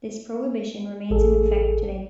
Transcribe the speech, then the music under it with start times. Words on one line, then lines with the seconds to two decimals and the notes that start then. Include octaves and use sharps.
This prohibition remains in effect today.
1.10 A1 G#4 A4